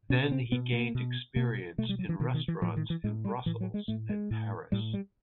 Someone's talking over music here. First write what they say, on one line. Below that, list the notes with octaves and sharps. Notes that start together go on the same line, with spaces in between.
Then he gained experience in restaurants in Brussels and Paris.
B2 C#4
C4
B2 B3
A#3
B2
B2 A#3
B2 A3
G3
F#3
E3
B2 D#3
D#3
E3
A2 F3
D#3
E3
A2 G#3
G3
A2 E3
F#3
G#3
A2 A3
G#3
A2
A2 G3
G3